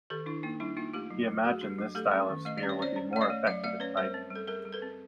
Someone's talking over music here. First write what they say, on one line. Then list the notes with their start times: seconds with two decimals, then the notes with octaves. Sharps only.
He imagined this style of spear would be more effective in fighting.
0.10 D#3 G4 A4
0.26 D#3 D4 E4
0.43 A#3 D#4
0.60 G3 D4 E4
0.77 A#3 D#4 F4
0.94 A3 F4 G4
1.11 F#3
1.28 F#3
1.44 A3 F#4 G#4
1.61 D4
1.78 F#3
1.95 A3 G4 A4
2.11 C#4
2.29 D#3
2.45 A3 D#5
2.58 D5
2.63 C#4
2.69 C#5
2.79 C#4 C5 D5
2.96 C#4
3.13 A3 D5
3.21 C#5 D#5
3.30 A3
3.47 F#3 D5 E5
3.63 A3 D5 E5
3.80 C#4 B4 C#5
3.97 G3 A#4 C5
4.14 C4
4.30 G3
4.36 A4
4.47 G3 G#4 A#4
4.65 G3
4.73 A4 B4
4.82 C4